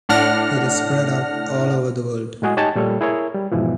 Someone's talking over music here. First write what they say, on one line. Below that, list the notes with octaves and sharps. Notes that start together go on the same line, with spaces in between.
It is spread out all over the world.
A2 D4 F#5 F6 A#6
A2 G#3 F#4 G#4
D#4 G4 C#5 D#5 G#5 A5
A#2 G3 A3 A4 C#5
E4 G#4 A#4 C#5
G3
E2 G#2 B2 E3 F3